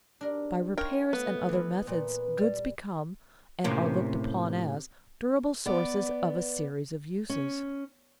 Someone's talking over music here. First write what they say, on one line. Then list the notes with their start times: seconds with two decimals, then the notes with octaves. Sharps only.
By repairs and other methods goods become, and are looked upon as, durable sources of a series of uses.
0.21 B2 D4 D#4 G4 A#4
0.78 D#4 F4 A#4 C#5 G5
1.13 A3 B3
1.49 E3 E4
1.87 A#2 B4
2.38 G3
3.64 A2 C3 A#3 C#4
5.66 B3 D5
7.29 C#4